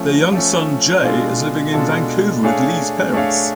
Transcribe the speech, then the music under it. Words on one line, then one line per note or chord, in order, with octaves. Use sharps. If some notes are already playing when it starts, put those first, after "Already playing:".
Their young son, Jay, is living in Vancouver with Lee's parents.
Already playing: F3 A3 C#4
F3 A3 C#4
B2 G#3 D4 F4 A4
B2 G#3 D4 F4 A4
A3 D4 G#4 C#5 F5
A3 D4 G#4 C#5 F5